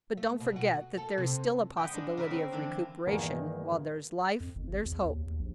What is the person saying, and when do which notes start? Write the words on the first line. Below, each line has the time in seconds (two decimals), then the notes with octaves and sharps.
"But don't forget that there is still a possibility of recuperation; while there's life there's hope."
0.17 A3
0.40 B2
0.56 F#4
0.97 A4
1.18 C3
1.77 G#3 B3 D#5 E5 F#5 G5
1.93 G#3 D4
2.17 C#3 A#4 B4 E5
2.31 C4
2.52 D3 E3 F3 D4
3.07 E2 G2 D#3 A#3
4.40 F2
4.55 F#1
4.69 G#1
4.85 E2
5.09 D#2
5.27 D#2
5.39 A#1